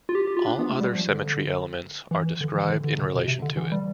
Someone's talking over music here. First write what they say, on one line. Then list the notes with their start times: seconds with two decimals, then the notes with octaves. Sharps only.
All other symmetry elements are described in relation to it.
0.09 F4
0.15 G4
0.27 G4
0.37 F4
0.47 D4
0.59 B3
0.70 A3
0.80 G3
0.95 F3
1.10 D3
2.11 E3
2.41 D3
2.55 E3
2.70 D3
2.84 D3
2.99 C3
3.14 B2
3.28 C3
3.42 D3
3.57 E3
3.72 G3